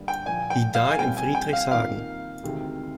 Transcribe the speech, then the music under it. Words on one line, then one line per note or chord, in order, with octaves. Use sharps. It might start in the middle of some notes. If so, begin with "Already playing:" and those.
He died in Friedrichshagen.
Already playing: G2 D3 G3 A#3
G5
A#2 F3 A#3 G#5
G5
F5
G#5
A#2 G3 C4 G5
G#5
G5
F5
C3 D#3 A#3 F4 F5
D2 C3 D#3 G#3